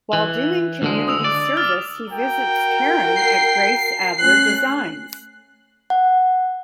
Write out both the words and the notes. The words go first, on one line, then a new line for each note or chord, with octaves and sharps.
While doing community service he visits Karen at Grace Adler Designs.
E3
D2 D3 G#3
D#6 E6 F7
D5
D6 F6 A6
F#4 A#4 G5
C7
A3 C#4 F#6
F#5